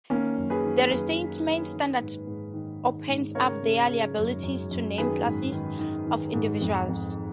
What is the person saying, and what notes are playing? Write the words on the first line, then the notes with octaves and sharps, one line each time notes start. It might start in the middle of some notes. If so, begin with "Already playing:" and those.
The Restatement Standard opens up their liability to named "classes" of individuals.
D#3 A#3 C#4
F#2
G#4 B4
D#3
F#2 G#4 B4
D#3
D#3
D#3
G#2
G#2
D#3
D#3
G#2
C#3 A#4 C#5
C#3
C#3
F#2
F#2
F#2
D#3 G#4 B4
G#2
D#3
D#3
D#3
G#2
F2
F2